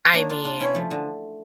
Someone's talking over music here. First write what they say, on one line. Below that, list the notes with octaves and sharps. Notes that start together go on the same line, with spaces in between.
I mean,
A#3 D4 C#5
D4 F4
D4 F4
C#4 E4 C#5
F3 A3
D3 F3